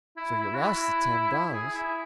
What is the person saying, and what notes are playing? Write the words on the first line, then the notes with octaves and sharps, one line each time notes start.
"So you lost the ten dollars."
E4
E4
F#4
E4
G#4
E4